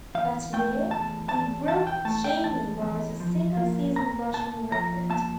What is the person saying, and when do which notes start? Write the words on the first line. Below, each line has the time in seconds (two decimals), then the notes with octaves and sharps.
That year, he broke Jamie Morris's single-season rushing record.
0.15 E3 F5
0.53 A3 G5
0.91 E2 A5
1.29 E2 A5
1.67 E3 A5
1.87 G5
2.05 A3 A5
2.24 G5
2.43 E2 A5
2.82 E2
3.20 F3
3.57 A#3
3.96 A#2 A#5
4.34 A#2 A5
4.72 F3 A#5
5.10 A#3 A5